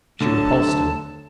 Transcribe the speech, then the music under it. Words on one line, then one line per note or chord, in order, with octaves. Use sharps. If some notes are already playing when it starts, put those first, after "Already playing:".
She repulsed him.
D2 D3 F#3 A4 A5